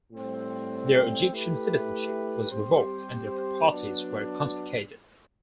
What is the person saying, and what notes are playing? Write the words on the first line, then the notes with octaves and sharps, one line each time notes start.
Their Egyptian citizenship was revoked and their properties were confiscated.
A2 G3 C4
A3 E4 G4 B4
G3 C4 G4 C5
F#3 B3 D4